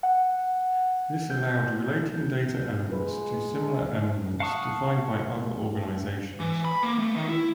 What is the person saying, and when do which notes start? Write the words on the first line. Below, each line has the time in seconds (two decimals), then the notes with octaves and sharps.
This allowed relating data elements to similar elements defined by other organizations.
0.03 F#5
1.30 G6
2.90 G#3 F4 B4
4.40 F5 F#5 A5 C#6 D#6
6.40 E3
6.65 B5
6.83 A#3
6.99 A3
7.16 D#3
7.29 E4